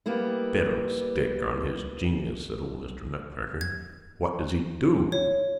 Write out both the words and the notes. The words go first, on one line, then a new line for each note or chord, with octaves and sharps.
"Fiddlestick on his genius!" said old Mr. Nutcracker; "what does he DO?"
G3 A#3 B3 E4
G#6
C#5